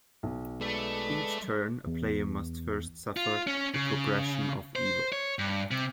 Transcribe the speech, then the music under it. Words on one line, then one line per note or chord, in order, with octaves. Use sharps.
Each turn a player must first suffer the "progression of evil".
B1
G#3 A3 B4 D5
E2
F4
C#4
C#3
C5
C#5
G2
C3